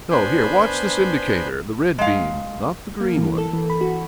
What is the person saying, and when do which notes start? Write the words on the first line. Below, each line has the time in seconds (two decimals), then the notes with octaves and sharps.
No--here, watch this indicator--the red beam, not the green one.
0.11 B3 D4 C5 G#5 B5 G6
1.98 G#3 F5
3.01 A#3
3.17 E3
3.38 A4
3.53 E3
3.70 B5
3.81 F#4